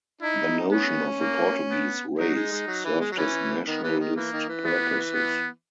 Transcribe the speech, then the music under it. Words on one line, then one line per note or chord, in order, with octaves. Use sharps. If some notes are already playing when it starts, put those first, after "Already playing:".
The notion of a Portuguese "race" served his nationalist purposes.
D#4 E4
B3 C#4
A#3
B3
F#3 D#4
G#3
G#3
F#3
E3
G#3
F#3
C#3 E3 C#4
D#3 B3
E3
D#3
E3 A#3
D#3
E3
B3
B3